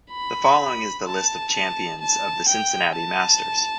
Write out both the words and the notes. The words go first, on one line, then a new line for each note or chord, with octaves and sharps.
The following is the list of champions of the Cincinnati Masters.
B5
A5
A5
A5
G5
A5